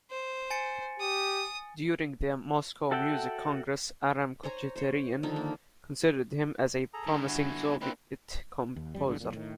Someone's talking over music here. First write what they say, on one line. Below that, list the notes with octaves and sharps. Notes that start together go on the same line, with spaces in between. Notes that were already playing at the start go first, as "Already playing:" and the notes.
During the Moscow Music Congress Aram Khachaturian considered him as a promising Soviet composer.
C5
G#5 A6 C#7
G4 D#6
F#4 A4 E5 F#5 G5
C5 C#5 G#5 A#5
C5 C#5
D3 D#3 F3 D#4
A#3
G#4 A4 A#5
G2 D3
E4 F#4 G#5
A#3 C4 D4 E4 B4
D#2
F2 G3
G1 E2 G2 D3
B1 F2 A#2
A2 D#3